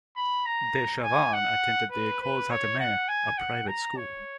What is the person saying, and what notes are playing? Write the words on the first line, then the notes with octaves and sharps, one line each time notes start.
Dechavanne attended the Cours Hattemer, a private school.
B5
A#5
G#5
F#5
B4
B4
C#5
F#5
G#5
F#5
A#5
C#5